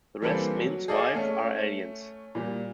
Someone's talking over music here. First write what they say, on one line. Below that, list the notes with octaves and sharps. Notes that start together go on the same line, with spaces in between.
The rest men's wives are aliens.
E3 G3 A#3 C4 A4 B4
F#3
G#4 A4 D5 D#5 F5
A3 C#4
A#2 G3